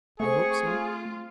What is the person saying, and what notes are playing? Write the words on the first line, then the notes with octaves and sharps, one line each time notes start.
"I hope so."
A3 C4 G#4 C#6
F4